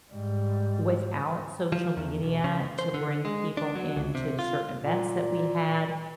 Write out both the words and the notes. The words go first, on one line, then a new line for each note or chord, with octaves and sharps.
without social media to bring people into the certain events that we had
G#2 G3
F3
E2
B1
C#3
C5
D3
G#3
D4
F#3
C#2
C3
F4
A#2